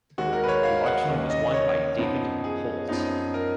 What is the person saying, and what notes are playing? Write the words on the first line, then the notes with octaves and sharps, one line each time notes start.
The election was won by David Holt.
D#2 D#3 G#3 F#4
A#4
B4
C#5
F5
F#5
D#2 D#3 A#3 C#4
D#5
C#5
F#2 F3 B3 D#4
G#4
F#2 F3 B3 D#4
A#4